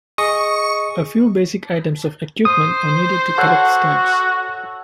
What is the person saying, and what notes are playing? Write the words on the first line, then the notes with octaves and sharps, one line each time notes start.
A few basic items of equipment are needed to collect stamps.
G#4 D#5 C#6 D#6
C5 D#6
F#4 A4 C#5 F#5